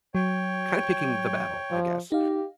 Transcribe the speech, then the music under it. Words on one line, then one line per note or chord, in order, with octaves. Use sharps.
kinda picking the battle, I guess.
F#3 C#5 G5
F3
D#4 G4 F5